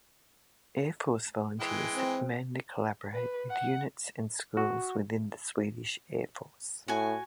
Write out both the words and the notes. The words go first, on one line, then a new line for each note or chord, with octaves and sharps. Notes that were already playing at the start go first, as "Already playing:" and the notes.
Air Force Volunteers mainly collaborate with units and schools within the Swedish Air Force.
E3 G#3 G5
C4
B4
F#5
F#4
A2 F#4 G#5